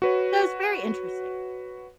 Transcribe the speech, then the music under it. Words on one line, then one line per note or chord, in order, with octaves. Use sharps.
So, it's very interesting.
F#4 B4 C#5